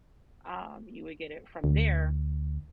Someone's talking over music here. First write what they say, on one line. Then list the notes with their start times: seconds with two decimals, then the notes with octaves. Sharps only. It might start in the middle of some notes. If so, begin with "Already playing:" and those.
um, you would get it from there
1.64 D2